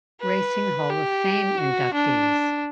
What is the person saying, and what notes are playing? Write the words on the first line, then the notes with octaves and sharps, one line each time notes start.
Racing Hall of Fame inductees.
B4
G4
F#4
D4